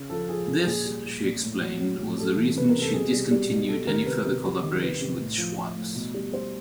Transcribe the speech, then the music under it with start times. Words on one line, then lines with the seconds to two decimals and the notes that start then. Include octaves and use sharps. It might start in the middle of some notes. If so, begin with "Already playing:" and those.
This, she explained, was the reason she discontinued any further collaboration with Schwarz.
Already playing: C#3
0.10 F3 A4
0.29 F3 G#4
0.48 C#3 A4
0.66 A#2 G#4
0.85 G3
1.05 G3
1.24 A#2
1.42 A2
1.61 F#3
1.80 F#3
1.99 A2
2.18 G3 A4
2.37 E3
2.55 C3 B4
2.69 A#4
2.75 C3
2.82 A4
2.93 B2 G#4
3.13 G3
3.31 G3
3.50 B2
3.69 G3 A4
3.87 D#3 A#4
4.06 C3 B4
4.25 C3
4.44 G3
4.63 D#3
4.82 C3 B4
5.01 C3
5.20 A2
5.38 F3
5.57 F3
5.76 A2
5.95 B2
6.14 G3
6.33 G3 C5